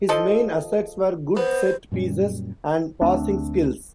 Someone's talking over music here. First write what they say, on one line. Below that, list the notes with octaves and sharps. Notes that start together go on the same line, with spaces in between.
His main assets were good set pieces and passing skills.
F3 A4 D#5
B3 C5
F#2 A#2 G3 C#4
D2 A3 C4 D4